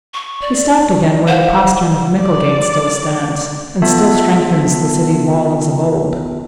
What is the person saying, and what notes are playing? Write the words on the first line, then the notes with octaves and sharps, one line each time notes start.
He stopped again where the postern of Micklegate still stands, and still strengthens the city wall as of old.
C#6
D5
C5 F5 F#5
D5
B3 F4 A4 E5 A5